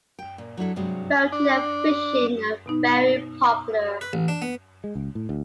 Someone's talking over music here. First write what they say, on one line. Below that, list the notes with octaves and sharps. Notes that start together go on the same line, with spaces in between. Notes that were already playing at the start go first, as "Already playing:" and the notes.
Boating and fishing are very popular.
G5
A#2
F#3 D4 E4 A4
G2 C3 F#3 G#3
D4
B2 B3 D#4
B4
A1
D4
B3
G#3
C#2
A2
D2